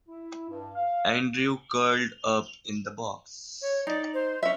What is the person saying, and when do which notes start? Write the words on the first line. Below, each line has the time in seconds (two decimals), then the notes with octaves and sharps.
Andrew curled up in the box.
0.08 E4
0.49 G2
0.75 F5
3.62 C#5
3.87 D#4 D5
4.14 C5
4.43 C#4 E5